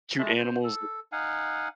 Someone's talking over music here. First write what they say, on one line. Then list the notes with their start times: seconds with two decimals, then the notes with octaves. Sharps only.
cute animals tha
0.19 G#3 A3 A5
0.38 C5
0.64 A4
1.12 D#4 F5 F#5 G#5